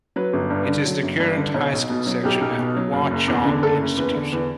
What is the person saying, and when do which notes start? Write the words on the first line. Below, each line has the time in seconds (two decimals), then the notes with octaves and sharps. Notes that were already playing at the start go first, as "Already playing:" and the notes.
It is the current high school section in Hwa Chong Institution.
0.16 F#3 B4
0.33 G1
0.50 G2
0.68 D3
0.85 F#3
1.02 G1
1.20 G2
1.37 D3
1.54 B1 C#5
1.73 B1
1.90 B2
2.07 F#3
2.23 B1 G4
2.41 B1
2.59 B2
2.76 F#3
2.93 F#1
3.11 F#1
3.28 E2
3.45 D3
3.62 F#1 A4
3.80 F#1
3.97 E2 B4
4.15 D3
4.32 E2 B4